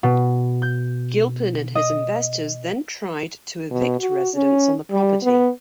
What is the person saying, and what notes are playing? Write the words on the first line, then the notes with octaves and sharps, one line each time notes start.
Gilpin and his investors then tried to evict residents on the property.
B2
G6
D#5
B2
F#4
C#4
G3
B3